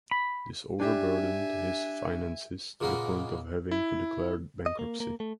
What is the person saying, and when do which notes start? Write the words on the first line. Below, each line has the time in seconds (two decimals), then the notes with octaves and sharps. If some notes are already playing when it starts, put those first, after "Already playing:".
This over burdened his finances to the point of having to declare bankruptcy.
0.11 B5
0.80 D4 G4 E5 G#5
2.81 A#2 C#3 G#3 A#3 B3
3.71 E4
4.66 D#5
4.79 A#3
5.00 A#3
5.20 A3